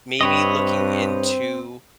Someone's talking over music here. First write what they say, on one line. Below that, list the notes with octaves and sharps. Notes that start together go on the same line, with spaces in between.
maybe looking into
G2 C4 B4 C#5 D#5